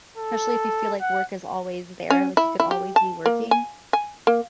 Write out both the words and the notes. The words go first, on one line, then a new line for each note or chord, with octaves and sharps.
especially if you feel like work is always there, like, you could always be working.
A4
F#5
C#4
E4
E4
G4
A5
A#3
G#5
G#5
A#3